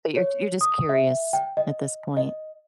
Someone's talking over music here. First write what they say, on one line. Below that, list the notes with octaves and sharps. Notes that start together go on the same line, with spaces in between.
But you're you're just curious at this point.
C#5
D#6
E5
G5
D#5
D#5